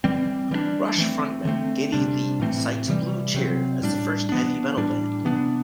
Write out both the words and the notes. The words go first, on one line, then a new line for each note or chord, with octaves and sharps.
Rush frontman Geddy Lee cites Blue Cheer as the first heavy metal band.
E3 G3 C4
E3 G3 B3 D4
E3 A3 C4
D3 A3 C4
C3 G3 D4
A2 E3 A3 C4
C3 E3 G3
C3 F#3 C4
A2 G3 D4
E3 B3 D4
A2 E3 G3 D4
C3 E3 B3 D4